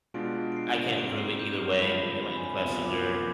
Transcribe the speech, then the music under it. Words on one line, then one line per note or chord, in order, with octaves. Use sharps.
I can't prove it either way, they went and questioned her.
B2 G#3 D4 F4 D7
D7
C7
D#7
G#2 G3 C4 D7
C7
G6
F6
F2 D3 G#3 C4 F4 B5
C6
B5
G#5
B5
D2 C3 F3 B3 F4 C6
D6
D6